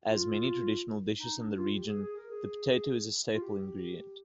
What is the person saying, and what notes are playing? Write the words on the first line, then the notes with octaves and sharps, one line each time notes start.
As many traditional dishes in the region the potato is a staple ingredient.
F4
D#4
D4
F4
G4
G#4
G#4
A#4
G#4
F4
G4